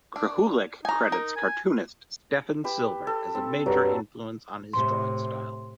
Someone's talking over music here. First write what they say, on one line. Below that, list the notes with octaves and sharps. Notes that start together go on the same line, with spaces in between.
Krahulik credits cartoonist Stephen Silver as a major influence on his drawing style.
D4
D#4 G#5 A#5
A#4
G#5
G4 B4 E6
A4
C4
G2 F#3
A2 C3 C6